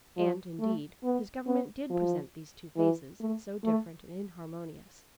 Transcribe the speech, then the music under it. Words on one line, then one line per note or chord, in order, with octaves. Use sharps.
And, indeed, his government did present these two phases, so different and inharmonious.
F3
A3
B3
B3
F3
E3
A3
A3